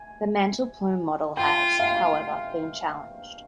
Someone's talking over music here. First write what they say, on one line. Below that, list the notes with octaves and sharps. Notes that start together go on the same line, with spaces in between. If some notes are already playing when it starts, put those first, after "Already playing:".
The mantle plume model has, however, been challenged.
Already playing: G#5
F4 G5
F5